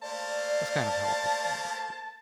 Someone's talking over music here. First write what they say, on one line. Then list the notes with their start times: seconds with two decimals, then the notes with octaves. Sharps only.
that's kind of how I I feel about it.
0.02 A3 A#3 C5 D5 A5